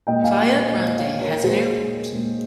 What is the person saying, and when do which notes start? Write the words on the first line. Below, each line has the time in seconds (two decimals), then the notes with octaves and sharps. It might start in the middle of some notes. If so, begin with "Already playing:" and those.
Playa Grande has an airport.
0.07 A#2 G#3 D#5 G5
0.24 F5 G#5
0.41 D#5 G5
0.58 D#5 G5
0.75 A#2 G#3 C5 D#5
0.98 C#5 F5
1.21 A#4 C#5
1.43 A#2 G#3 G#4 C5
2.12 A#2 G#3